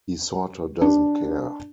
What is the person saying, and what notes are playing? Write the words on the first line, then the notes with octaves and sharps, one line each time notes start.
He sorta doesn't care.
D4